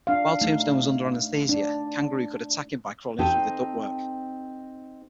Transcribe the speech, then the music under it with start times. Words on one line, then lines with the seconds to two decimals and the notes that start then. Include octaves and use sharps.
While Tombstone was under anesthesia, Kangaroo could attack him by crawling through the ductwork.
0.07 D4 F5
0.41 A3 D#4
1.49 D4
3.19 C4 D#4 G4 A4 C5 A5